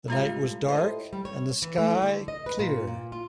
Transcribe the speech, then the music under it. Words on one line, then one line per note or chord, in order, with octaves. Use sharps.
The night was dark, and the sky, clear.
A2 G3 G#3 F4 G4 F5
A2 C5 D#5
G3
C#5
E3
A3
D3
D#5
B4
A#2
A#2
F4